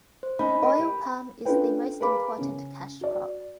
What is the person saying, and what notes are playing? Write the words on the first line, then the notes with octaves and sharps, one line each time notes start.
Oil palm is the most important cash crop.
C5
C#4 D#4 B5
A#4 D#5
G4
C#4 D4 F4 A4 B4 G5
G#4 A#4 B4 F5 B5 D6
C#3 C#4
F#4 D5